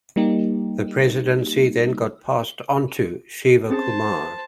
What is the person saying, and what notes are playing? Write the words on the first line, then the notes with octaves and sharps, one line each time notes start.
The presidency then got passed onto Shiva Kumar.
G3 A#3 D#4 G4
C4 C#4 G#4 C5 A5